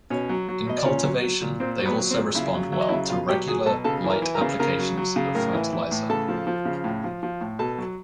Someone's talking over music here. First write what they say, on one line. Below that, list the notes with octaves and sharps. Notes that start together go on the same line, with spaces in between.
In cultivation, they also respond well to regular, light applications of fertilizer.
B2 C#4 C#5
F#3
F#3
B2 D#5
D5
A#2 C#4 C#5
F#3
F#3
A#2
A#2 C4 C5
F#3 C5
B3 B4
F#3
C4 C5
A#2
C#3 E4 E5
F#3
F#3 E5
D#5
C#3 E4 E5
B2 F4 F5
F#3 G4 G5
F#3 G#4 G#5
B2 A4 A5
C#3 A4 A5
E3
A#4 A#5
E3
A#4 A#5
C#3
C#3 A#4 A#5
F#3
F#3
C#3
A2 A#4 A#5
E3
E3
A2
C#3 A4 A5
F3
F3
C#3
A2
F3
F3
A2
B2 A4 A5
F#3